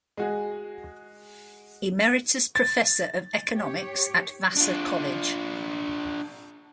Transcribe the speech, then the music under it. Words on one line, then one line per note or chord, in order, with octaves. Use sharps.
Emeritus Professor of Economics at Vassar College.
G#3 F#4 G#4
A6
G4 C#5
D4 F4